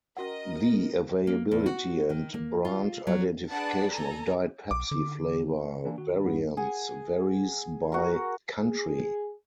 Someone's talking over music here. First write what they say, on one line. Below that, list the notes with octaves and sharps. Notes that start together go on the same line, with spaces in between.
The availability and brand identification of Diet Pepsi flavor variants varies by country.
C#4 F#4 A#4 D#5 F#5
A#3
E2
F#4
D#3
A#3
F4
F#3
D4 G#4 B4 D5 F#5 A5
A4 G#5 A#5
B1 D6
D3
E3 A#3 D4
D#3 F#4
G2 B3
G#4 F#5 G#5
F#4 A#4
G#4